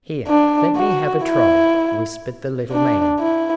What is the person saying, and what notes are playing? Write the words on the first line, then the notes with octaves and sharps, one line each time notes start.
"Here, let me have a try," whispered the little man.
D4
F#4
E4
D4
E4